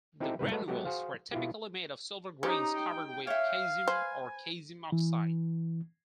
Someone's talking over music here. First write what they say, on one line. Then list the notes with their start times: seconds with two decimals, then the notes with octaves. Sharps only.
The granules were typically made of silver grains covered with caesium or caesium oxide.
0.20 C4 D#4 E4 G4 A4
0.39 G#2 C3 G3 B4
0.51 G#3 A3 F#4 A4 B4 C#5
0.68 F#3 G#3 A3 B3 F#4 G4
0.85 F#4 G#4 C5 F5
1.32 B2 E4 F4 G4
2.43 C#4 D#4 G4 C5 A#5
2.78 G5
3.27 C#5 E5 F5
3.88 B4 C5 G#5
4.92 E3